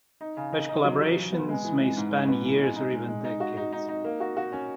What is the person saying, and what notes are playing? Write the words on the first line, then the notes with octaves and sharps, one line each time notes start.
Such collaborations may span years or even decades.
D#4
C#3
D#4
D#4
F#3
F#3
F#3
B3
G#3
E3
G#3
G#2
G#3
B3
E3
G#3
D#4
G#3
G#3
D#4
F#4
D#4
D#4
D#4
A#3
F#4
F#4
C#4